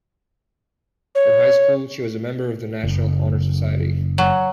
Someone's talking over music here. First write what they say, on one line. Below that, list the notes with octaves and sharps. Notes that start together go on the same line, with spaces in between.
In high school, she was a member of the National Honor Society.
C#5
F#1
F#3